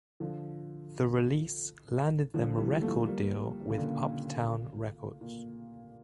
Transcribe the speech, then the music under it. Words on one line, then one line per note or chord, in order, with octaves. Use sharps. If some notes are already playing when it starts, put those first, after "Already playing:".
The release landed them a record deal with Uptown Records.
D3 F3
D3 F3
E3 G3
F3 A3
G3 A#3
C#3
A#2 D3
A#2